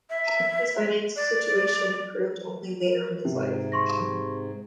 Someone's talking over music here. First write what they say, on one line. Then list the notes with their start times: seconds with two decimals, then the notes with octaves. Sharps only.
His financial situation improved only later in his life.
0.10 E5
1.16 D5
3.25 G#2 C3
3.72 C6 C#6 A#6